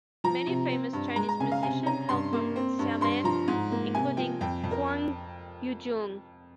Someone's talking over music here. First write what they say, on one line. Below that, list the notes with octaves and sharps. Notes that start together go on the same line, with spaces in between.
Many famous Chinese musicians hail from Xiamen, including Huang Yujun.
F3 A#5
C3
C4
G2
G#3 A#5
A#5
C#3 G#5
F5
C3 G#5
C#4 A#5
G2 C6
A#3
C4
G2
G2 C6
F3 A#5
G#2
A#3
C3 G#5
F3 G5
F2 G5
F2
A#4